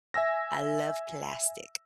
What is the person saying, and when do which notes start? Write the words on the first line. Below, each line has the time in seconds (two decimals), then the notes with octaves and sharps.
I love plastic.
0.14 E5 G#5 E6 A#6